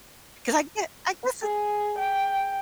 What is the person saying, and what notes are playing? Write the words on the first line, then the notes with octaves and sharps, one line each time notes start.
'Cause I get I guess it's
G#4
G5